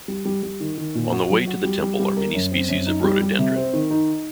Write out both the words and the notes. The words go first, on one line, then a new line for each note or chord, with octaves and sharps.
On the way to the temple are many species of rhododendron.
G3
G3
G3
D#3
D#3
A#2
F#4
F#3
F#4
G3
G3
G3
A#4
F#2
C4
F#2
D#4
G3
G3
C3
C4
D#3
D#4